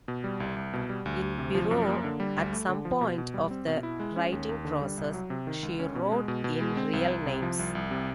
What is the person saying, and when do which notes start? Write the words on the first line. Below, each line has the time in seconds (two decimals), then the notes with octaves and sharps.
In biro, at some point of the writing process, she wrote in real names.
0.08 B2
0.24 G3
0.40 C2
0.56 C2
0.73 B2
0.89 G3
1.06 D2
1.22 D2
1.38 C3
1.55 F3
1.71 F#2
1.87 A#3
2.04 D3
2.20 G3
2.36 D2
2.52 A3
2.69 D3
2.85 F3
3.01 B2
3.18 B2
3.34 G3
3.51 C4
3.67 B2
3.83 E4
4.00 G#3
4.16 C#4
4.32 D#2
4.49 D#2
4.65 D3
4.81 G3
4.97 C2
5.14 F#3
5.30 C3
5.47 D#3
5.63 C#2
5.80 C#4
5.95 B2
6.12 G#3
6.28 B2
6.44 B2
6.61 G#3
6.77 C4
6.93 C2
7.10 C2
7.26 C3
7.42 F3
7.59 C2
7.75 C2
7.91 C3